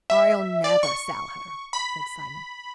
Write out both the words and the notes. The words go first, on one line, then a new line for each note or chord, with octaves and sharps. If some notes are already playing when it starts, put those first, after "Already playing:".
"I'll never sell her," said Simon.
E5
D5
C#6
B5